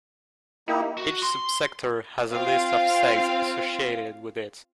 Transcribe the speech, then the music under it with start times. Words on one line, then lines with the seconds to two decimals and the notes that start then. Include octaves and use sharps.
Each subsector has a list of segs associated with it.
0.68 A#3 D#4 E4 G4
0.98 F#4
1.23 C6
2.31 C4 F4 F5